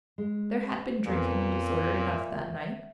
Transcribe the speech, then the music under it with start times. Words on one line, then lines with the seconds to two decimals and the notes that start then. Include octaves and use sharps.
There had been drinking and disorder enough, that night....
0.18 G#3
1.07 F2 A#2 B3 C4
2.13 E5